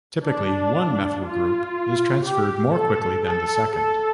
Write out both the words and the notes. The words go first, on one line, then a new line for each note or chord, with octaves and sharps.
Typically, one methyl group is transferred more quickly than the second.
D4
F4
G4
A4
A4
A4